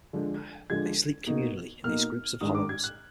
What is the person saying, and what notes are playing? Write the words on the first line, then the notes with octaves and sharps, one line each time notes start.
They sleep communally in these groups of hollows.
D3 F3 G#3 D4
D3 F3 G#3 D4 G#6
B2 A#3 D#4
B2 A#3 D#4 F6
G#2 D#3 G#3 D4 D#6
D6
G#6
F#6